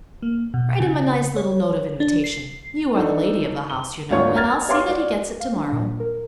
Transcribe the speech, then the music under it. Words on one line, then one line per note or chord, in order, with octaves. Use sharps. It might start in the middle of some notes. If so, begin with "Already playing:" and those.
"Write him a nice little note of invitation--you are the lady of the house, you know--and I'll see that he gets it tomorrow."
A#3
B2
C#3
C#5
D4
C7
D4 D#4 A4
G7
G#1 D2 D4 F4 C#5 C#6
A#5 F6 G#6 A6
G4 C#5 F5 C6 D6 F6
F#4 D5
F5
D4
A#2
A#4